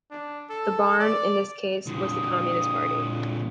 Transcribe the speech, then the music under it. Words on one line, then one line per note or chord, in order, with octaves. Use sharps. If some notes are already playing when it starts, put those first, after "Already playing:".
The barn in this case was the Communist Party.
D4
A4
D5
A#2 D3 D#6